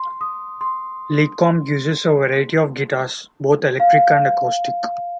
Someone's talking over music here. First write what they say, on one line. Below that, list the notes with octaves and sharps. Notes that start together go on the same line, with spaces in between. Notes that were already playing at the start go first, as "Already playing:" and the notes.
LeCompt uses a variety of guitars, both electric and acoustic.
Already playing: C6
D#6
C6
F5